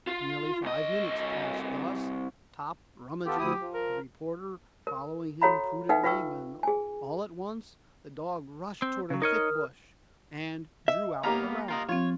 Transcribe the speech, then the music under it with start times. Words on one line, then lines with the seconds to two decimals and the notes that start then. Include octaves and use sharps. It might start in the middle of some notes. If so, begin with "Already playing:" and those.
Nearly five minutes passed thus, Top rummaging, the reporter following him prudently when, all at once, the dog rushed towards a thick bush, and drew out a rag.
0.07 F4
0.64 C2 D#5
3.26 B3 F4 G4 A4
3.39 D2 E4 D#6
3.60 F3
3.74 A#4
4.87 A#4
5.42 F#4 A4 C#5 F5 A#5 B5
5.89 D#4 A4 B4 E5 F5 G5
6.03 F4 B4 F5 G5 C#6 E6
6.63 G#4 G#5
8.82 C4
9.10 C#3 F#3
9.22 D#4 A#4 C#5 D#5 D#6 F6
10.88 D#5 E5
11.23 A#3 B3 G4 F5 A#5
11.68 F4 A#4 D#5
11.89 F3 C4 F4 C#5